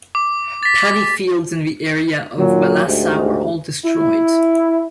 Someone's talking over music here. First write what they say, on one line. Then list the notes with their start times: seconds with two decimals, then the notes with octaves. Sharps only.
Paddy fields in the area of Wellassa were all destroyed.
0.15 D6
0.63 A6 B6
2.38 A#2 F#3
2.87 D2 G#2 G4
3.86 E4